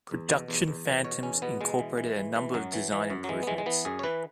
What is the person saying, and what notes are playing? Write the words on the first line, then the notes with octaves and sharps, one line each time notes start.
Production Phantoms incorporated a number of design improvements.
E2
B2
E2
E2
B2
B2 C#5
E2 C#4
B2 B3
B2 G#3
E3
E3
E3
E3
F#2 F#3
E3
E3
F#2
F#3
E3 G#3
B3
E3 G#3
G#3
E3 B3
F#2 G#4
C#5
E3 B4